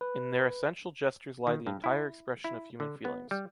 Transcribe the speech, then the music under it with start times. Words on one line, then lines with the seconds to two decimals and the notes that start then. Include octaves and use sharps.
In their essential gestures lie the entire expression of human feelings.
0.01 B4
1.47 D#3
1.67 G2
1.84 E4
2.44 E4
2.80 D3
3.05 B3
3.31 G3